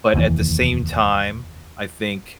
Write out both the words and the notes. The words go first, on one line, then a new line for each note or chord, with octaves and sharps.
But at the same time, I think
F1 D#2 C3 E3